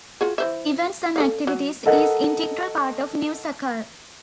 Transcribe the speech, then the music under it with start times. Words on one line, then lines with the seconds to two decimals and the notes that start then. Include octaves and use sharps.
Events and activities is integral part of new Sakal.
0.21 F4 F#4 G#4
0.38 E3 C5 E5
1.16 A4 D5 F5
1.47 F#3
1.86 A4 A#4 D#5 F#5